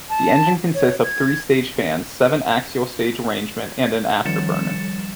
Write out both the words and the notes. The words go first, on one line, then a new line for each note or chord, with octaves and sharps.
The engine consists of three-staged fans, seven axial stage arrangement, and an afterburner.
A5
C#5
G#6
D#3 F3 G3 A6 C#7 E7